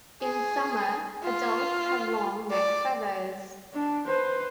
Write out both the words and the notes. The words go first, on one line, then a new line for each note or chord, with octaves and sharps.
In summer, adults have long neck feathers.
G#4
F4
D5
D4
B4 C5